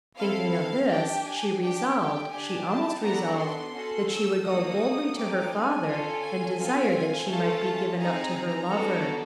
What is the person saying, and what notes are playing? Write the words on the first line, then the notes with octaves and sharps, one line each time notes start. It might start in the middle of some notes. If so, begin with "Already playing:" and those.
Thinking of this she resolved--she almost resolved--that she would go boldly to her father and desire that she might be given up to her lover.
C4 E4 A4 F5
F5
D4 G4 G5
G#5
D4 G4 G5
G5
D4 G4 G#5
A5
B3 D4 F#4 A4 A#5
C6
C#4 F#4 A4
E6
A#3 D#4 F#4 A4 D#6
A3 C4 D#4 G4 D6
G#5
C#4 F4 A4
G#5
C4 F4 A4
A3 C#4 F4 A4 A5
C4 D#4 G#4 A#5
B3 D4 F#4 A4